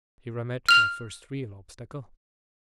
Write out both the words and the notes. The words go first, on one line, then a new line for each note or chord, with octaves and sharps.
Here I met my first real obstacle.
F6 F7